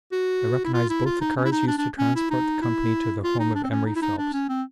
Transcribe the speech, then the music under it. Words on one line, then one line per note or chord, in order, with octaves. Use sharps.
I recognized both the cars used to transport the company to the home of Emery Phelps.
F#4
E4
F4
E4
F4
D#4
C#4
E4
D#4
D4
D4
C#4
E4
D#4
E4
F4
D#4
D4
C4
C#4
D#4
E4
D#4
D4
C#4
C4